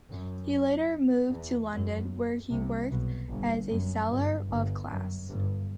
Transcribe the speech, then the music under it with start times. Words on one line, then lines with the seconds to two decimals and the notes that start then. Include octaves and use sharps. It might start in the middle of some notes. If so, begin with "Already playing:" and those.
He later moved to London where he worked as a seller of glass.
0.10 F#2
1.30 E2
1.70 F#2
2.50 C2 C3
2.90 B1 B2
3.30 G1 G2
3.69 F#2
4.09 G1 G2
4.50 G1 G2
4.89 F#2
5.29 G1 G2